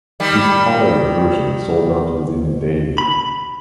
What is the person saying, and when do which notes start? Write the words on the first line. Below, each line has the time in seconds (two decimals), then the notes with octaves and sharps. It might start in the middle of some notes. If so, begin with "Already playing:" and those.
This coloured version sold out within a day.
0.20 D#3 G3
2.98 B5